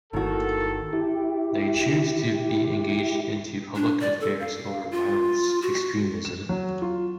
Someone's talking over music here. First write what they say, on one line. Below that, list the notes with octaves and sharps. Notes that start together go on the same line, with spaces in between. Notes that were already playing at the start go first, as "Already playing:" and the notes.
They choose to be engaged into public affairs over violence extremism.
G1 D#3 A#3 E4 F#4 A4 A#4
E4 G4
D4
D5
A4
F5
F4
F#4
E7
F#3
F4